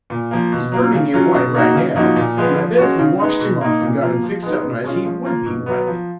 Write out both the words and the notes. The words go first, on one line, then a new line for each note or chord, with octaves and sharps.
He's perty near white right now, and I bet if we washed him off and got him fixed up nice he WOULD be white.
A#2
F3 A#3
B2
F#3 A#3 F4
C#3
F#3 C#4 F4
B2
A#3 D#4 F#4
C#3
F3 A#3 D#4 F#4
A#2
F3 G#3 B3
F3
G#3 C#4 F#4
C#3
G#3 B3 D#4
B2
A#3 D#4
A#2
F3 A#3 F4
F3
G#3 B3 D#4
B2
G#3 C#4 F4
F3
A#3 F4
B2
F#3 B3
F3